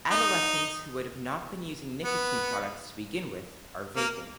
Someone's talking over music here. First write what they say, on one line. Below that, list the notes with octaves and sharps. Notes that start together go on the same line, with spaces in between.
Adolescents who would have not been using nicotine products to begin with are vaping.
D#4
B3
A#3